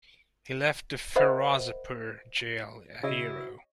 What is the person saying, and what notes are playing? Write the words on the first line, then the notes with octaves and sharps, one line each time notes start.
He left the Ferozepur jail a hero.
A#4 C5 D#5 E5 F#5 B5
C#3 E4 F#4 C#5 D#5